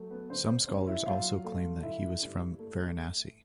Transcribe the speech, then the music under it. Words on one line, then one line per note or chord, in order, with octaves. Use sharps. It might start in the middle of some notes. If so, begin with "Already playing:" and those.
Some scholars also claim that he was from Varanasi.
Already playing: F#3 A3
B3 B4
D3 C4 C5
C4 C5
G2 C#4 C#5
E4 E5
F#3 F4 F5
A3
D3 E4 E5
G2
A3